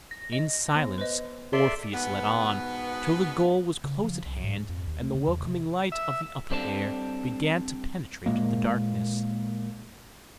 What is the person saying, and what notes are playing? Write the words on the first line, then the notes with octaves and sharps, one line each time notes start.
In silence Orpheus led on, till the goal was close at hand and the welcoming light of the upper air began to penetrate the darkness.
A#6
D#5
B3
B4 C5 D#5
G#4 A4 D5 E5 C6 G7
G#2 B2 B3
C#3
F3
C2
G#2
F2
D#2
A3
C#3
E2
C3
E5
G3 C4 D4 A4
A#2 G#3 A#3